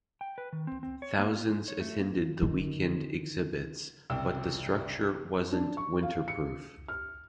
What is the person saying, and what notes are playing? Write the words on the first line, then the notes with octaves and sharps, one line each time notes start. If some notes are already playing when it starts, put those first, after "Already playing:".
Thousands attended the weekend exhibits, but the structure wasn't winterproof.
G5
B4
D#3
C4
C4
C#5
A#3
F4
G#3
C#5
A3
A#3
D3 D#3
F#1 C2 G5 E6
D4
C#6
F5
C#7
F6